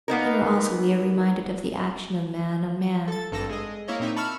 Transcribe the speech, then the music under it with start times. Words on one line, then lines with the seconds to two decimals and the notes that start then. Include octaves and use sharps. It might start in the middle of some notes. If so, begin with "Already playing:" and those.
Here also we are reminded of the action of man on man.
0.08 A#3 B3 D#4 A#4
3.08 A4 A6
3.32 G#1 G2 A4 E6 A#6
3.49 G#3 G#4 D#5
3.88 A#3 E4 C#5 D#5
3.99 A#2 C4 D#4 E5
4.16 A5 B5 C#6 E6 F6